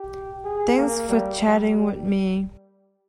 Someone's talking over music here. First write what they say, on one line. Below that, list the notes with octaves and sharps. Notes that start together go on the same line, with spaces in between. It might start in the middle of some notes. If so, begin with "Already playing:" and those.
Thanks for chatting with me.
Already playing: G4
G#4
A#3
G3
G3